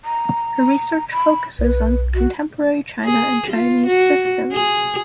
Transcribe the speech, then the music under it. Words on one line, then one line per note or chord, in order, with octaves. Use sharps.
Her research focuses on contemporary China and Chinese dissidents.
A#5
B5
B1 B4
F#4
G#4
F4
F#4
G#4